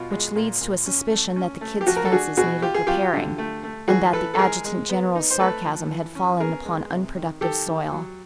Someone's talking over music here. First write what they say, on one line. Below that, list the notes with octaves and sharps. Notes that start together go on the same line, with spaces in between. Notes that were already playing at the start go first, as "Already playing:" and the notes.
Which leads to a suspicion that the Kid's fences needed repairing, and that the adjutant-general's sarcasm had fallen upon unproductive soil.
Already playing: B2 F4
G#3
A#2
A#2
C#4
A3
C#4
A3
G4
F3 F#4
A#4
A4
D4 F#4 G#4
B2 F#4 G#4
F4 G4
G#4
F#3 F4 G4
D3
A3
A3
E3 F#4 G#4
E3 A4 B4
A4
G#3 G#4 A#4
G#3
B3
D#4
C5
A3 A4 B4
F3
E3
C#4
B3 G#4 A#4
G#3
C3
D#3
D#3 G4 A4
D#3
F#3